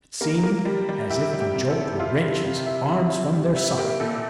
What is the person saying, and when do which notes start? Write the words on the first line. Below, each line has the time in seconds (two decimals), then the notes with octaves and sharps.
It seemed as if the jolt would wrench his arms from their sockets.
0.21 A#3 A#4
0.43 A#3
0.65 G3
0.89 G3
1.10 E4 G4
1.33 G3
1.40 G4
1.55 C3
1.70 A4
1.77 C3
1.99 E4 F4
2.22 G3
2.45 C3
2.66 E4
2.89 E4
3.11 E4
3.33 G3
3.56 E4
3.78 A#3 G4
4.00 A#2 A4